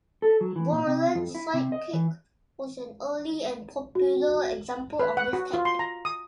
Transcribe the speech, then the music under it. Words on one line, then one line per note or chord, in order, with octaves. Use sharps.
Borland Sidekick was an early and popular example of this type.
A4
F#3
E3
A#2
C3
F2
E4
C3
D#5
E3
F#4
B4
F#5
F#4
F4
C6
A#5
D#6